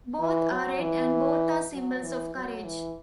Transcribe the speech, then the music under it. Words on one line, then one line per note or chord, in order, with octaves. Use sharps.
Both are Red and both are symbols of Courage.
E3
F#3
E3
F#3
E3
F#3
E3